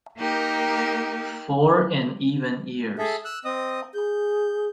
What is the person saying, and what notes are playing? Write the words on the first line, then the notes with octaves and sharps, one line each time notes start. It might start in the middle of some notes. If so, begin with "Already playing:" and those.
Four in even years.
A#3 D#4 G4 A#4
G#4 A4 E5
E6 F#6
C4 D#5 D#6
G#4 G6